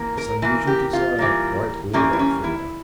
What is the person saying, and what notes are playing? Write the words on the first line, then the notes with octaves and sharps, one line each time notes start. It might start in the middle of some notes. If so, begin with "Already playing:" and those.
This unusual desire quite awed Elfrida.
Already playing: E3 A#3
A#4
E3 A#3
G4
F4
E3 G3 A#3
E3 G3 A#3 C#4
E4
C#4
E4